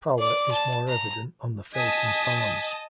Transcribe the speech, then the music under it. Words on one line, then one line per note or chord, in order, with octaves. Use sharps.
Pallor is more evident on the face and palms.
D5 D6
A5
A#5
D#5 G#5 A5 D#6 B6